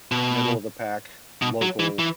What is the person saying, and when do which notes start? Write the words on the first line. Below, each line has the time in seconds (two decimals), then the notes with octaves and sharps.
middle of the pack, local,
0.12 B2
1.42 B2
1.62 F#3
1.80 E3
1.99 E3